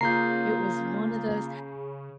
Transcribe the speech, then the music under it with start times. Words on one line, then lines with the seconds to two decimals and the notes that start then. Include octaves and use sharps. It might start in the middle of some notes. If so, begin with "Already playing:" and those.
It was one of those
0.01 C#3 A#3 F4 G#4 A#5 G6 C7